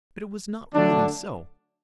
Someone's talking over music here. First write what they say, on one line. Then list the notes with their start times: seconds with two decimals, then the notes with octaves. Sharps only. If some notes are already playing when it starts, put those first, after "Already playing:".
But it was not really so.
0.74 D3 F#3 A3 D4